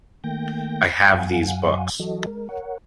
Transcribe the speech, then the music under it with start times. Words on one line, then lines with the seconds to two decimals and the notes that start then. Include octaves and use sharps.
I have these books.
0.24 D#3 A3 A#3 G5 G6 A#6
1.14 F#2 F#3 F5 F#5 G#5
2.00 E3 F#3 F#4 A4 D#5
2.27 G#3 A#4
2.49 A#4 C#5 F#5